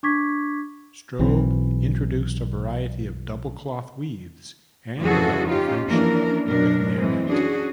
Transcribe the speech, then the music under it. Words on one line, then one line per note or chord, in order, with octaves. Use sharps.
Straub introduced a variety of double cloth weaves and developed a friendship with Mairet.
D4 C#6 D6 G#6 B6
B1 E3 C4
F2 C#3 E3 F#4 G#4 A4
C#4 D#4 F4 G4
E3 F3 A#3 C#4 D4 A#4
F#2 B2 D4 A#4
E3 G#3 C4
C#4 D4 F#4 G#4